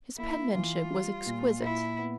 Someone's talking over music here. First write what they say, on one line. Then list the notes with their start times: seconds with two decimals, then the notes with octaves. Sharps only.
His penmanship was exquisite.
0.18 A#3 E4
0.54 E3 F4
0.91 G3
1.26 A#2
1.62 A#2 E4
1.99 B3